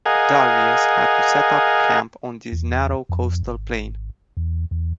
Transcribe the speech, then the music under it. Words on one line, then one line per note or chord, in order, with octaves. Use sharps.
Darius had to set up camp on this narrow coastal plain.
G#4 A#4 D#5 F5 F#5 G#5
E2
F2
G#1
E2
E2